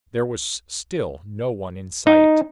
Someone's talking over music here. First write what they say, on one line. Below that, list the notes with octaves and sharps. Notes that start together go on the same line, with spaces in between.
There was still no one in sight.
D#4